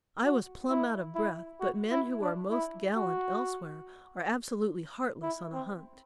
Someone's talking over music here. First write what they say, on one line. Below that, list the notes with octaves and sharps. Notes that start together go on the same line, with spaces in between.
I was plumb out of breath, but men who are most gallant elsewhere are absolutely heartless on a hunt.
F#4
E4
E4
F#4
E4
D4
E4
F#4
E4
C4